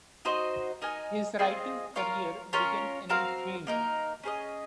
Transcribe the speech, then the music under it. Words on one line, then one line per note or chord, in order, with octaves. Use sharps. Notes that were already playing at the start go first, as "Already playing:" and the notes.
His writing career began in film.
D#4 F#4 C5 D#5
D#4 A#4 D#5 G#5
C4 F4 G#4 D#5
F4 A#4 C#5 F5
C#4 F4 A#4 C#5
C4 F#4 A#4 F5
A#3 D#4 A#4
C#4 G#4 C5 D#5